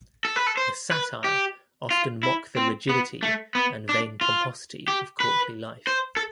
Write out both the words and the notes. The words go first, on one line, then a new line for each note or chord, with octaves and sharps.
The "Satire" often mock the rigidity and vain pomposity of courtly life.
A4
B4
A4
C5
B4
G4
F4
E4
C4
B3
A3
B3
D4
F4
G4
B4
C5
A4